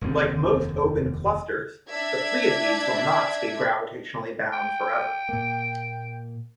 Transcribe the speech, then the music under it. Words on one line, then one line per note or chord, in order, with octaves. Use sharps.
Like most open clusters, the Pleiades will not stay gravitationally bound forever.
F1 D#2 D3 C4
D4 D5 E5 G#6
G5
A#2 A#3